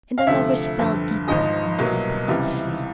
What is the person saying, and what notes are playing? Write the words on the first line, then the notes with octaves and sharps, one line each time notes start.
And the lovers fell deeper and deeper asleep.
F5
D2 C3 F3 A3 E5
G1 F2 D3
G#1 G#2 F3 D#5
C2 B2 F#3 A#3
C#2 C3 E3 G3